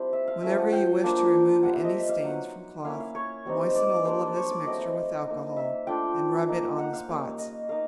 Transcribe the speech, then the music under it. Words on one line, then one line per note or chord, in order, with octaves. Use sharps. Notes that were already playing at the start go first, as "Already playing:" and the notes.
Whenever you wish to remove any stains from cloth, moisten a little of this mixture with alcohol and rub it on the spots.
Already playing: G3 C4 D4 E4
E5
F5
F3 A3 C#4 E5
F#5
G5
F3 A#3 D4 F4
G3 C4 F4 F#5
E5
D#5
E5
F5
F#3 B3 D#4 F#5
A#3 C#4 E4 F5
F5
C#5
G3 C4 D#4
D5
G3 A#3 D4 C5
D5
C#5
D5
F#3 A3 C4 E4 D#5
A#3 D#4
E5
A3 D4 F4 G5
A#3 D#4
F#5
F5
G3 A#3 C#4 F5
D#5
A#3 D#4 F5